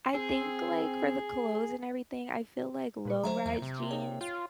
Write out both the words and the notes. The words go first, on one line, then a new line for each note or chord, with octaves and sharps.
I think, like, for the clothes and everything, I feel like low-rise jeans
C4 G#4
A#2 B4 C#6
D3 F#3 A3 C5 E5 A#5
E2 E5
C3
D#4 G#4 C#5
F4 G5